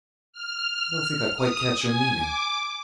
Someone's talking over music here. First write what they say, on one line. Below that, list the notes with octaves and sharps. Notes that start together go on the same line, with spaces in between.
I don't think I quite catch your meaning.
F6
D#6
G#5
D6